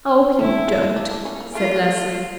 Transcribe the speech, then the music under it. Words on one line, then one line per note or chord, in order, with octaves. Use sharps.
"Oh, you don't," said Leslie.
E4 A4
A4
A4
F4
D4
D4
C#4
A#3
A3 F4
A#3
A3